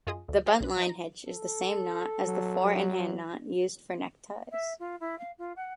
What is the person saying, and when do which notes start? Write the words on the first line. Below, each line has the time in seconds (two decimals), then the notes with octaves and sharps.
The buntline hitch is the same knot as the four-in-hand knot used for neckties.
0.07 F#2 F4 G#4 D#5 D#6
0.28 D2
0.46 G4 C5 C#5 F5 G5 A5
0.61 B1 B4
0.77 F3 D#4
0.89 A#5
1.28 A4
2.25 F#3
4.51 E5
4.79 F4
5.00 E4
5.18 F5
5.38 F4
5.56 F#5